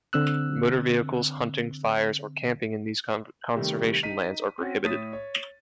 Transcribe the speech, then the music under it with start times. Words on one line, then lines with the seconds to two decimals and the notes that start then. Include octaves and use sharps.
Motor vehicles, hunting, fires, or camping in these conservation lands are prohibited.
0.13 D3 C4 E6 F#6
3.56 C3 D#3 G3 A3
4.03 D#4 B6 D#7
4.58 C4 C#4 F#4
4.84 A2 C#5 D#6 A6 B6 D#7
5.13 C#5